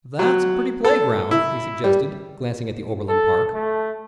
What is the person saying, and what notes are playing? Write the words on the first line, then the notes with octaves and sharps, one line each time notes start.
"That's a pretty playground," he suggested, glancing at the Oberlin Park.
F#3
A4
E4
G3
A4
A3